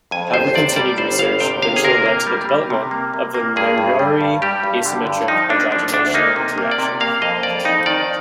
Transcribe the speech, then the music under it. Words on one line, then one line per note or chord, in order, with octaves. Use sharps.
However continued research eventually led to the development of the Noyori asymmetric hydrogenation reaction.
F2 G#5
G1 C5
C3 D5
G3 D5
G1 C5
G1 F5
C3 G5
G1 F5
G#4
C3 A#4
A#3
G3
G3
C3
A#3
C3
A#3
G2 G#4
G2
G3
G2
G3 G4
G2
D3
G2
F3 D#4
A#3 D4
F3 D4
D2 D4
A#3 D#4
C3
A#3
D5
C3
A#3 F5
F2 D#5
F2 D5
F2 D#4
D#3 D5